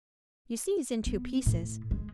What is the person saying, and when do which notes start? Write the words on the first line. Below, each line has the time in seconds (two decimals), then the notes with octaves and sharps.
"You see he's in two pieces?"
1.06 B3
1.46 A2
1.91 G#3